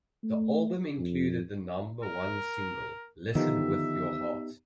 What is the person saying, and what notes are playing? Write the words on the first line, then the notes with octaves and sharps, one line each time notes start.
The album included the number one single "Listen with Your Heart".
A3
F2
A#4
D3 D#3 F3 B3 D#4 G4 E5